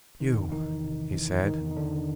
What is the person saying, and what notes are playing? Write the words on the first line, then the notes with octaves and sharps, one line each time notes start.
"You?" he said.
C3 D#3 D#4
E2
D#3 E3 D#4
E2
C3
E3
E3
E2
D#3 E3 D#4
E2
D#4
E2 D3 D4